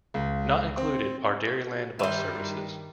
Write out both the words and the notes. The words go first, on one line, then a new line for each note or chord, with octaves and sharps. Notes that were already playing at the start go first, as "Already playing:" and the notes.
Not included are Dairyland Bus services.
C#2
C4
G2 D#3 G3 B4 C5 E5